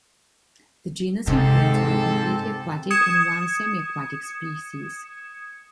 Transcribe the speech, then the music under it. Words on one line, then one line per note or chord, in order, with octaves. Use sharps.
The genus includes one completely aquatic and one semiaquatic species.
G#2 C3 C4 G4 A4
D#6 G#6 C#7 E7